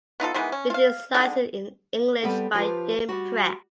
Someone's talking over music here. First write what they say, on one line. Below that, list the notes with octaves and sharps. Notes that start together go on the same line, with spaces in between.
It is licensed in English by Yen Press.
B3 D#4 F4 A4
D#3 E3 G#3 B3
C#4
F4 F5
D3 G#3 D#4
G3 B3 C4 G4 A4
F3 F4 G4 B4
G3 F#4